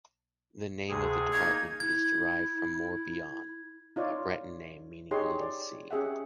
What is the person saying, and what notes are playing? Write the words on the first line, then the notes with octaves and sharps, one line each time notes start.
The name of the department is derived from Mor-Bihan, a Breton name meaning Little Sea.
D2 C3 G#4
A#3 D#4 G#6
E4 G#6
D#4 F4 C#5 D5
D#4 G4 G#4 C#5 C6
D5
C#4 G4 G#4 E5 F#5